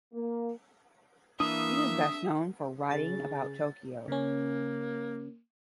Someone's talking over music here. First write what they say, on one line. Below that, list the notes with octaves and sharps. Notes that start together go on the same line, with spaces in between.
He is best known for writing about Tokyo.
A#3
E3 A#3 D4 E5 D#6
C#3 A6
C#3 A#3 C#4